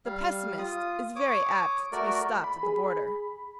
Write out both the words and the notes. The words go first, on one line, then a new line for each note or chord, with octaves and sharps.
The pessimist is very apt to be stopped at the border.
G3 F5
F4 D#6
C#5 D6 D#6
A3 F#4 A#4 D5
B5
G#4